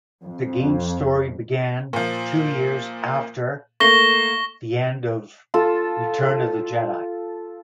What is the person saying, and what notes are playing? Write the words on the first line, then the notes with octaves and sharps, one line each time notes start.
The game's story began two years after the end of "Return of the Jedi".
F2
A#2 F3
A3 A#3 C#6 A#6 G7
F4 A4